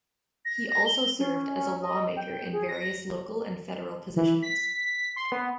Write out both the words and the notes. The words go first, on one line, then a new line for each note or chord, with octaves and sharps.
He also served as a lawmaker in various local and federal positions.
A#6
A#6
G7
C#4
C#4
D#5
G5
G#4
A#6
E3
B6
C6
B3